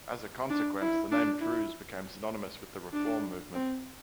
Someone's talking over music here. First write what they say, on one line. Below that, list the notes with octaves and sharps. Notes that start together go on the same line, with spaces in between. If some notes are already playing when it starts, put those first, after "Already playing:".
As a consequence, the name "Druze" became synonymous with the reform movement.
D4
E4
D4
E4
D4
C4